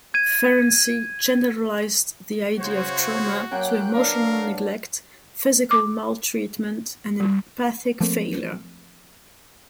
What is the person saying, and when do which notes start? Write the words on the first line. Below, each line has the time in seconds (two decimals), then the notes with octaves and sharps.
Ferenczi generalized the idea of trauma to emotional neglect, physical maltreatment, and empathic failure.
0.14 G#6 D#7
2.59 C#3 F#4 C5 C#5
3.51 F#3 A#3 C#4 G5 F#6 G6
3.94 D4 A#4 B4 F5
5.71 D6
7.20 G3
8.00 F3 A3 A#3 C4